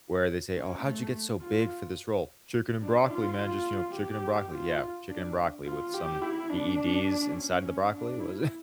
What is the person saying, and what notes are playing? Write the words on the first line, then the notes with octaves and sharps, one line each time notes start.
where they say, "Oh, how'd you get so big for this role?" "Chicken and broccoli, man. Just, you know, chicken and broccoli." Yeah, chicken and broccoli with some EEDs inside the broccoli was it
C#4
A3
F4
D4
F4
F4
G4
F4
D4
F4
G4
E4
D4
C#4
D4
E4